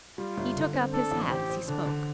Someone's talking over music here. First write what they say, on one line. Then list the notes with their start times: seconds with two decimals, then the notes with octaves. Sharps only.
He took up his hat as he spoke.
0.18 G3 F4
0.38 G1
0.56 D3
0.74 C4
0.93 D4 A4
1.11 A1
1.30 G4 C5
1.50 C5
1.68 D3 D4
1.86 D3